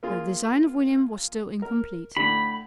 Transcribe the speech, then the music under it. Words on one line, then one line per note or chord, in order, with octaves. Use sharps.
But the design of William was still incomplete.
A#3 F4 G#4
A#4
A2 D3 B5